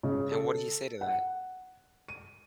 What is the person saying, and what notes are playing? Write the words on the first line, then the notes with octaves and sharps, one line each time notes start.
And what did he say to that?
C#3
A4
F#5
D#7